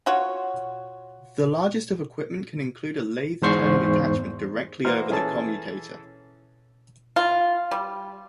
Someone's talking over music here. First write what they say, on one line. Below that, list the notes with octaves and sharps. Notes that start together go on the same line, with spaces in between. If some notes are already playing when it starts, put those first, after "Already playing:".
The largest of equipment can include a lathe turning attachment directly over the commutator.
F4 F#4 C#5
E2 G#2 C5 C#6 C7
A#2 E3 F#4 C5 A#5 F6
E3 C#4 G#4 A4 A5
F4
G3